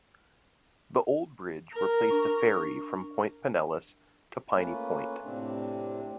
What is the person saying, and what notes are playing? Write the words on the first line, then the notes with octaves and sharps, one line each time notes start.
The old bridge replaced a ferry from Point Pinellas to Piney Point.
A#4
D4 C#6
A3 A#3 C#4 F4 B4
A2 C3 C4 D4